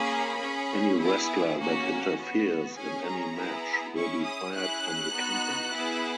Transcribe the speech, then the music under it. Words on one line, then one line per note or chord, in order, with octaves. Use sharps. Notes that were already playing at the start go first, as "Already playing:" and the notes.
Any wrestler that interferes in any match will be fired from the company.
Already playing: A#3 C#4 G#4 B5
C#4 G#4
B3 E4 G#4
A#3 C#4 F#4
B3 F#4
C#4 G#4 G#5
A#5
B3 E4 G#4
C#4 E4 G#4 C#6
D#6
C#4 E4 G#4 F#6
B3 D#4 F#4
B3 E4 G#4